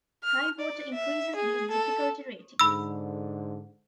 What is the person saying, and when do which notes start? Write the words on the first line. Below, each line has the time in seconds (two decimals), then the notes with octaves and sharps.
High water increases these difficulty ratings.
0.24 F6
0.60 D5
0.95 E5
1.36 G#4
1.71 A4
2.59 G#2 D3 B5 E6